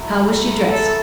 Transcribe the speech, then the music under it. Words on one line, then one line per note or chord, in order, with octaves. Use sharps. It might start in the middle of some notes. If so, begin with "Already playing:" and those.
"How was she dressed?"
Already playing: F#3 A3 E4
A4